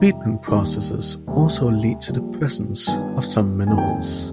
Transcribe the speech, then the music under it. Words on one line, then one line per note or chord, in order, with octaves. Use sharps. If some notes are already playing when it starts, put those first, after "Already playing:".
Treatment processes also lead to the presence of some minerals.
Already playing: F2 C3 D#3 G3 A#5
D#2 D#3 G3
D2 C3 G3
A#1 A#2 G3
G1 G2 D#3 G#5
F1 D#2 D#3 G3 G#5
G5
G#5